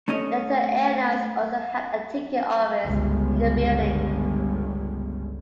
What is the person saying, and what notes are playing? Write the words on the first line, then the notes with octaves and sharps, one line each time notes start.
Delta Air Lines also had a ticket office in the building.
A3 C#4 C#5 D#5
G1 C#2